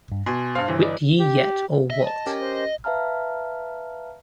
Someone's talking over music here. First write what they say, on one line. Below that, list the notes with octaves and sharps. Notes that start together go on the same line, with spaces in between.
Wit ye yet, or what?
G2
B2 G#5 C6
G2 C5 F5
G1 E3
B4 D5 D#5
G4
D#5 E5
A5
C#4 G4 A#4
C5
B4 E5 F5 A5 A#5 F6